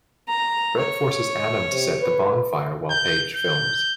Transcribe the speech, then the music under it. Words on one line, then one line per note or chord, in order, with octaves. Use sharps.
Brett forces Adam to set the bonfire while Paige films.
A#5
C#5
C3
B4
G6
G6